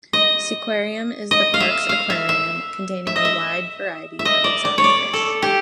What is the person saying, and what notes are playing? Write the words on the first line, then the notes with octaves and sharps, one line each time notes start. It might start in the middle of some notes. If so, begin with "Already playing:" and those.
SeaQuarium is the park's aquarium, containing a wide variety of exotic fish.
D#5
D#5
F5
E5
F5
E5
E5
E5
D#5
E5
E5
D#5
D5
D5
C#5
D5
A4
G4